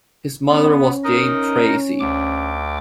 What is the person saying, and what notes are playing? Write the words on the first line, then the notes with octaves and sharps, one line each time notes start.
His mother was Jane Tracy.
B3 C#4
D#4 A#4 D#5
D2 D6